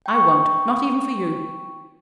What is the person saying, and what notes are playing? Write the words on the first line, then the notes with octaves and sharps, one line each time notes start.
I won't, not even for you.
G5 C#6